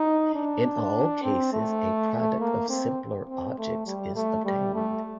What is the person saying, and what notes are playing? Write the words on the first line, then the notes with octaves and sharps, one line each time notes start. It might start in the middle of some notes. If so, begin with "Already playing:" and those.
In all cases, a product of simpler objects is obtained.
Already playing: D#4
D4
C4
A3
A#3
C4
C4
A3
G3
A3
G3
A3